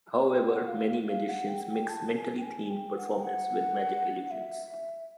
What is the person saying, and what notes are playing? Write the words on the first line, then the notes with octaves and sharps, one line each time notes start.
However, many magicians mix mentally-themed performance with magic illusions.
G#5
G5
F#5
F5
F5
F#5
G5
F#5
G5
A5
G#5
G5
G#5
G5
F#5
G5
F#5
E5